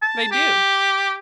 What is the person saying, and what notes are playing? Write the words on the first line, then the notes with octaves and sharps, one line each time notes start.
They do.
A5
G4